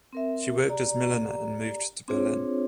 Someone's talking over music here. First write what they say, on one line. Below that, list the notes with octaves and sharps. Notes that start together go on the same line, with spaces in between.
She worked as milliner and moved to Berlin.
C4 A#4 E5
G4 D5 A#5
C4 D4 F4 G#4 C5 C#5